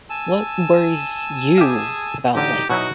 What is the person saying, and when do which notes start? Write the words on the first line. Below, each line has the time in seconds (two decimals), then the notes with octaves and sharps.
what worries you about, like,
0.10 G#5 A5 E6
1.58 G4 G#4 E5 F5
2.35 A1 D3 D#4 G4 D#5
2.70 B2 F#3 D#4 E4 F#4 D#5